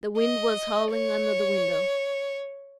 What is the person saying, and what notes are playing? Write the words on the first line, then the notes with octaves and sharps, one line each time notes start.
The wind was howling under the window.
D#5
C#5